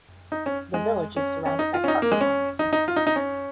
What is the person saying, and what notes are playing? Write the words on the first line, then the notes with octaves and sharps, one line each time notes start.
The village is surrounded by carp ponds.
D#4
C#4
G#3
C#4
C#4
D#4
F4
C#4
D#4
A#3
G#3
C#4
D#4
D#4
F4
D#4
D#4
C#4